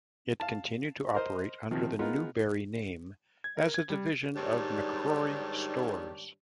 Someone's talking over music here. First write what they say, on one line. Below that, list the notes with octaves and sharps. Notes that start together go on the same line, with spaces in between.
It continued to operate under the Newberry name as a division of McCrory Stores.
F5 A5
A#4 C5 D#5
C3 D#3 F3
G#3 B3 D#4 F4 A#4
G#6
A#4
G#6
G3
G#2 D#3 G3 D4 G4 C#5